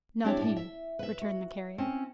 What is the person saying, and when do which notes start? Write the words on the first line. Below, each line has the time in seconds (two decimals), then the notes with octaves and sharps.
"Not he," returned the Carrier.
0.24 C4 D4 E4 G4 C#5
0.41 A2 D4
0.56 E5
0.99 B4 E5
1.21 F#4
1.78 C4 C#4